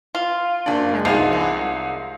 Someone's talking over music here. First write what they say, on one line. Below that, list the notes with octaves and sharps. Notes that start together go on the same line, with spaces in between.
I love that.
F4
F#1 D4
C2 F3 G#3 D#4